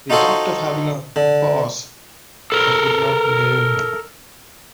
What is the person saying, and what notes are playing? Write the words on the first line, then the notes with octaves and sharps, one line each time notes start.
They talked of having a "boss" but would not name him.
D#4 F4 F#4 A4 C5 C#5
D3
A4 A#4